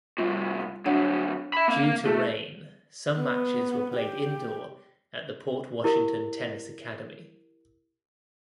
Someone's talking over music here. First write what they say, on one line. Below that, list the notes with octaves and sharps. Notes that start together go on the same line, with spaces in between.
Due to rain some matches were played indoor at the Port Washington Tennis Academy.
A2 C3 G3 F4
D2 F#3 D4 C#5 F#5
E5 B5
A#3 C4 F5
A3 E4 G#4 A4
B3
G4
E4 G4 A#4